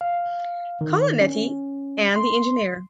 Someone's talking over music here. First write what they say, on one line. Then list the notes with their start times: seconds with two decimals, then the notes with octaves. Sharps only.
Colonnetti and the engineer.
0.01 F5
0.81 D#3
1.21 C#4
2.16 C6